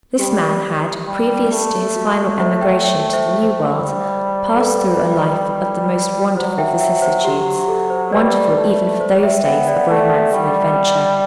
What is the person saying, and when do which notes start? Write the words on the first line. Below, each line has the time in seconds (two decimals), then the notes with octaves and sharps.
This man had, previous to his final emigration to the New World, passed through a life of the most wonderful vicissitudes--wonderful even for those days of romance and adventure.
0.19 G3 G4
1.07 G3
1.52 A3
1.96 F#4
2.40 C5 E5
2.61 E5 G5
2.84 E5 G5
3.13 C5 E5
3.43 C5
3.72 G3
4.56 A4
4.60 B4
6.37 F#3 C5
6.58 E5 G5
6.81 E5 G5
7.02 C5 E5
7.25 G4
7.47 G4
7.68 A4
7.90 C5
8.12 G3 B4 D5
8.57 A3
9.01 C5
9.23 E5 G5
9.45 B3 E5 G5
9.67 D5 F#5
9.90 A3
10.33 G3